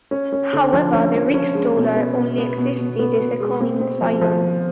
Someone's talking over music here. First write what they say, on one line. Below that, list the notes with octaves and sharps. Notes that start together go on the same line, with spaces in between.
However, the Rixdollar only existed as a coin in Ceylon.
C#4
C#4
D3
F3
C#4
F3
C#4
G#3
B2
B3
B2
B3
B2
B2
B3
B2
G#3
C4
C4
F3
F3